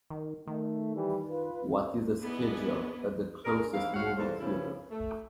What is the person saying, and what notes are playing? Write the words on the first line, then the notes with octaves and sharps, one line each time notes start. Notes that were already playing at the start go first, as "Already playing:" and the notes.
What is the schedule at the closest movie theatre?
D#3
D#3 A3
E3 G3
F4 B4
B3 D4 E4 G#4 B4 D#5
D4 G#4 A#4
E2 G#2 E4 F5
F#4 C#5 F5 F#5
E2 G2 B2 A4 C5
C#3 F3 B3 C#4 E4
A3